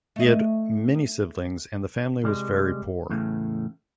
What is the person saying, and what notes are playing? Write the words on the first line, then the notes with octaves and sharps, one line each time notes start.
He had many siblings and the family was very poor.
A3 D#5
C2 G3 G#3
E2 A2 C#3